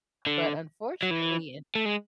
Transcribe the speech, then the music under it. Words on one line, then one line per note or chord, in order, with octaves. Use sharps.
but unfortunately in
D3
F#3
E3
A3
G#3